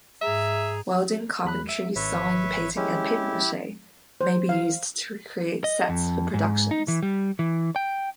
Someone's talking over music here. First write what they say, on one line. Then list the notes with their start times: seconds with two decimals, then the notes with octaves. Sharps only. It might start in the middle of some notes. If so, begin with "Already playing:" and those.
Welding, carpentry, sewing, painting and paper-mache may be used to create sets for productions.
0.22 G#2 G#4 E5 A#5
1.45 E2 B5 F#6
1.69 E5
1.96 G#1 B4 C#5 E5
2.76 G#3 C#4 E4 G4
4.21 C5
4.49 F5
5.64 D#5
5.89 F2
6.34 G#2
6.71 D#4
6.88 E3
7.03 G3
7.39 E3
7.76 G5